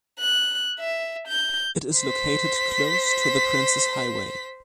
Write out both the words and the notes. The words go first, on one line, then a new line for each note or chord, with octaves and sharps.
It is located close to the Princes Highway.
F#6
E5
G6
C5 B6